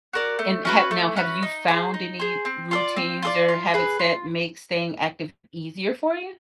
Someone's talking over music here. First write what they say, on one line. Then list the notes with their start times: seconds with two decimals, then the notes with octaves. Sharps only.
and have now, have you found any routines or habits that make staying active easier for you?
0.13 F#4 A#4 D5
0.39 A3
0.65 C#4 F#4 B4
0.91 A3
1.16 C#4 F#4 B4
1.43 D#4
1.68 G#4 C5
1.94 D#4
2.20 G#4 C5
2.45 C4
2.71 F4 A4 D5
2.96 C4
3.22 F4 A4 D5
3.49 F4
3.74 G#4 B4
3.99 F4